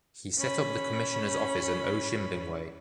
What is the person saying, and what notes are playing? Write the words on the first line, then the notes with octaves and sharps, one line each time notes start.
He set up the commissioner’s office in Otjimbingwe.
C#4 B5